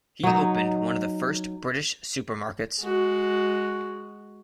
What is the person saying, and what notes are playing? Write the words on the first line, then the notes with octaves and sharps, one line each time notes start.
He opened one of the first British supermarkets.
F#3 D#4
G#3 F#4